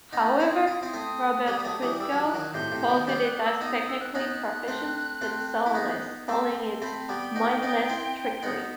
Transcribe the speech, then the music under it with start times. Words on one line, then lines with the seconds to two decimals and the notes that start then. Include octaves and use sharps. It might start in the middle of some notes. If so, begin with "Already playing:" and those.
However, Robert Christgau faulted it as technically proficient but soulless, calling it "mindless trickery".
0.13 B3 D#4 D#6
0.40 C4 E4
0.67 E4
0.83 C4 E4
0.94 A3 C4 D#6
1.47 G3 B3
1.65 F#3 A3
1.82 E3 G3
2.00 G3 E6
2.12 F#3
2.24 E3 F#6
2.35 D#3 F#3
2.54 A2 C3 G6
2.72 A2 C3
2.81 G6
2.90 B2 D#3
3.08 G3 B3 G6
3.25 F#6
3.44 E6
3.61 B3 D#4 D#6
3.74 D#6
3.88 E6
4.01 F#6
4.15 B3 D#4 F#6
4.68 A3 C4
5.21 A3 C4
5.66 E4
5.75 B3 D#4
6.28 A3 C4 E6
6.56 C6
6.82 A3 C4 B5
7.09 G3 B3 G5
7.36 B3 D#4
7.62 B3 D#4
7.89 C4 E4
8.43 B3 D#4 F#5